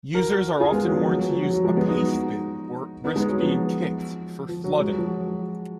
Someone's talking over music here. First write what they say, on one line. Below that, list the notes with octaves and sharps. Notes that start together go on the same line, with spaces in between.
Users are often warned to use a "pastebin" or risk being "kicked" for "flooding".
F#4 A#4
F4 G#4
G#3 B3
F#3
F3
F#3
F#3
F3
F#3
F#3
F3 G#3
G#3 B3
D#4 F#4
B3 D#4
G#3 B3
F#3
F3
F3
F#3
G#3
F#3
F3
F#3